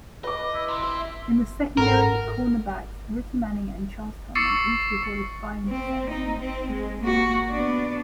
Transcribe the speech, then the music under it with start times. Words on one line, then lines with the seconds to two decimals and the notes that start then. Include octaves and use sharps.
In the secondary, cornerbacks Ricky Manning and Charles Tillman each recorded five interceptions.
0.24 B4 D#5 D6
0.54 E4
0.68 C3 C6
0.82 C4 E6
0.99 E5
1.77 G#2 A4 A#4 F#5
4.35 C#6 D6 E6 A6 C7 C#7
5.69 C4
6.11 D#4
6.40 C4
6.72 G#3
7.02 A#3 F#4
7.50 B3 D4